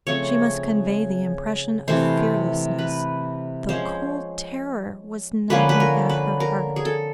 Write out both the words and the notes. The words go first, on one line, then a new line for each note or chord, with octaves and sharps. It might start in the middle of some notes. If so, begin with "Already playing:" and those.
She must convey the impression of fearlessness, though cold terror was knocking at her heart.
C#3 F3 A3 C4 C#5
C3 E3 A3 C5
B4
F3 G#3 C#4 C5
D3 F3 A#3 C#4 B4
B4
A#4
B4
A#4
G#4
A4